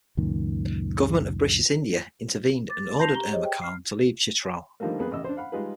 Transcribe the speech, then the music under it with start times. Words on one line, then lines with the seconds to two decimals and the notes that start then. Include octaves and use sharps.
The Government of British India intervened and ordered Umra Khan to leave Chitral.
0.17 C#2 F#2 A#2 D#3
2.69 D6 A6
2.98 A5 C6 G6 A#6 C7 F7
3.15 G4 A#5 G7
3.30 G4 G#4 C5 C#5 D#5
3.45 G5
3.62 F6 C7
4.80 D3 D#3 F3 G3 A3 A#3
4.99 F2 A#3 B3 G#4 B4
5.11 A1 C#3 D#5 E6
5.24 D4 C5
5.37 F5 F#5 B5
5.52 G3 G#3 D#4 F4 G#4 B4